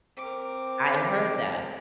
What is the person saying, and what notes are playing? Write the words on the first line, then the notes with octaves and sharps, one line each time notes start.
I heard that,
C4 A#4 D6